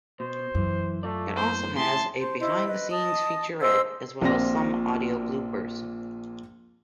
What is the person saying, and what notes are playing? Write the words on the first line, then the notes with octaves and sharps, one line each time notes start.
It also has a "behind the scenes" featurette, as well as some audio bloopers.
B2 C5
F#2 E3
A3 F4 D5
A2 B3 C5
A2 C#3 E4 G#4 A5 C6
C5
E4 C5 D#5
B4 D#5
D#5 A5 D#6
G#4 C5 D#5 E6
A#1 A#2 C4 F4 A#6